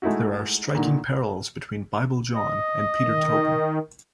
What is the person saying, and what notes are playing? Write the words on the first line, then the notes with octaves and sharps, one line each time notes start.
There are striking parallels between Bible John and Peter Tobin.
G#3 A3 D#4 E4 F#4
A#2 D3 D#3
D#5
D#3